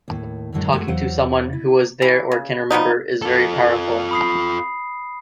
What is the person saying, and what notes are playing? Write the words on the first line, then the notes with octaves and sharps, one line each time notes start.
Talking to someone who was there or can remember is very powerful.
D#2 A2
F#2 A2 D3 F#3 G#3
F#2 G#3 A3 F#4
E2 F#3 C5 F5 F#5
E4
E3
C#3
F3 G3 B3 D#4
F4 A4
B5 D#6 C7